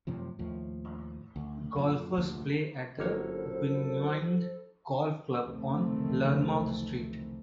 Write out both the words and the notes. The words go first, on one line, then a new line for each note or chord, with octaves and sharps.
Golfers play at the Buninyong Golf Club on Learmonth Street.
F#2 A2 C3 F3
D#2 A2 F3
D2
F#2 A#2
F1 D2 G2 A#2
G1 F#2 A#3 E4 A4 C5 C#5
F1 C#2 D#3 E3 A3 C4